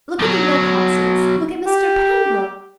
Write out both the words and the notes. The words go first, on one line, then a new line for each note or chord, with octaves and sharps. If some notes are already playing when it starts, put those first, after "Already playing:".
Look at the Wilcoxes, look at Mr. Pembroke.
B1 F#3
G4